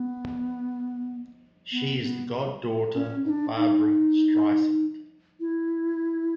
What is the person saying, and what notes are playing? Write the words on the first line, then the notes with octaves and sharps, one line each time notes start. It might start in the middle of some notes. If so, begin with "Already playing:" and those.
She is the god-daughter of Barbra Streisand.
Already playing: B3
B3
C#4
B3
C#4
D#4
D4
D#4
E4